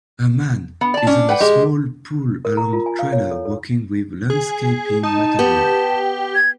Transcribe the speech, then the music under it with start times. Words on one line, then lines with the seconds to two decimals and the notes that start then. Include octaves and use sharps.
A man is on a small pull along trailer working with landscaping material.
0.81 B3
0.94 D5 A5
1.07 C#4 D4
1.29 B4 F#5 G5
1.40 G#3 G4
2.45 A#4
2.57 A#5
2.73 F4
2.86 G#5
2.99 F5
3.12 C#5
3.31 A4
3.45 A4
4.30 G#4
5.03 D#4 A5
5.39 B3 G4
6.35 G#6